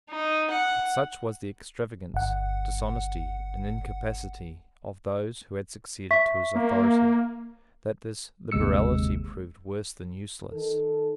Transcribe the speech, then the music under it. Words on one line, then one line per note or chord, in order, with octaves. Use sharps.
But such was the extravagance, dishonesty, and incapacity of those who had succeeded to his authority, that this liberality proved worse than useless.
D#4
F#5
G1 F#5
E5 C#6 B6
A#3
G1 D#2 C3 G#3 E6 C#7
D#3 A4